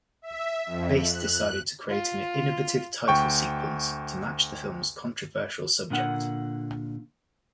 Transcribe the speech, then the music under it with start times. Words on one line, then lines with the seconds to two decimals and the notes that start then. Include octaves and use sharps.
Bass decided to create an innovative title sequence to match the film's controversial subject.
0.22 E5
0.66 F2
1.07 F#6
1.89 F4
3.08 D2 G5 C#6
5.90 A#2 D3 A#3 F#5